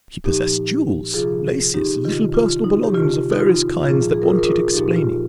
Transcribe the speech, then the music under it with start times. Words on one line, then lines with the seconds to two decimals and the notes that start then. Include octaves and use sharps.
She possessed jewels, laces, little personal belongings of various kinds, that wanted explaining.
0.24 A#2 F3 D#4 G4
1.14 C3 F3 F4 G#4
1.74 D#4 G4
2.04 C3 D#3 F4
2.34 F4
2.64 D#4
2.83 G4
2.94 C3 D#3 F4
3.31 D#4
3.40 F4
3.83 A#2 F3 F4 G#4
4.14 G#4
4.22 A#4
4.29 F4 G#4
4.39 A#4
4.44 F4 G#4
4.73 A#2 F3 D#4 G4
4.96 F4